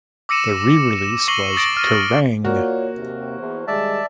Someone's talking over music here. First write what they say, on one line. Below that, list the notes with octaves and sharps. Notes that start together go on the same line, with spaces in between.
The re-release was Kerrang!
D6 E6 A#6 C#7 D#7 E7
E7
C#6 A#6 C7 D#7 F#7 G7
D#6 A6 A#6 D7
F6 D#7
A#3 F4 F#4 C#5 D5
D#2 C3
E2 C5
D#3 G3 G#3 D5 E5 A5